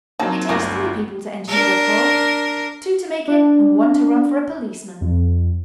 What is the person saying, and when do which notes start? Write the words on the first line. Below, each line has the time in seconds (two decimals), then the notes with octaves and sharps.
It takes three people to engineer a quarrel--two to make it and one to run for a policeman.
0.19 F#3 A#3 C4 D#4 A5
0.49 G1 D2 F#3 G3 A#4
1.48 D4 A#4
3.28 D4
5.01 F2